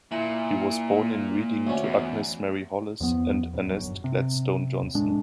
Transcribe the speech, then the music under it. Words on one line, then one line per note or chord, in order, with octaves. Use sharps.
He was born in Reading to Agnes Mary Hollis and Ernest Gladstone Johnson.
A#2 E4
D2 C#4
E2
E2 F3 B3
D#1
G1 F#2
C3
D#2
C2 A2 G#3 D4